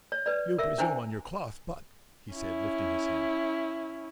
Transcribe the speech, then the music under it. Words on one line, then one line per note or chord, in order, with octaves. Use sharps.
"You presume on your cloth, but--" he said, lifting his hand.
C#5
B4 D5
A#4 E5
C#4 D4 E4 C5 G5 G#5
C#4 E4